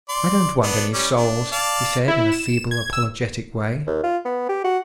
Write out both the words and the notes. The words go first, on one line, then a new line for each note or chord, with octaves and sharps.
"I don't want any souls!" he said in a feeble, apologetic way.
D5 C6
B3 D4
G3 C#4 D5
D4
D5 F5 A5
E4
E7
G#6
E6
D#2
F4
B3
G4
F#4